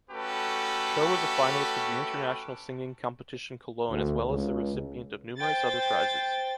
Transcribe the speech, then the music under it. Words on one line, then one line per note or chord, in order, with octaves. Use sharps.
Cho was a finalist of the International Singing Competition Cologne as well as the recipient of numerous other prizes.
A3 C#4 F#4 G4 A4 B4
D2
C#2
C5 G5 A6